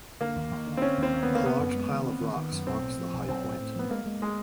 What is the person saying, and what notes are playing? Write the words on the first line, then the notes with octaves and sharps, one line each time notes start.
A large pile of rocks marks the high point.
D3 A#3
D#2
D#2
D3
C4
D3 C#4
D#2
C4
D#2
B3
D3
A#3
B3 C4
F#2
G#3
D#3
C4
D#3
D#3
F#2
B1 C4
A2
F3
B1
B1 C4
A2
A2
F3 B3
G#3 A#3
G#3
G#3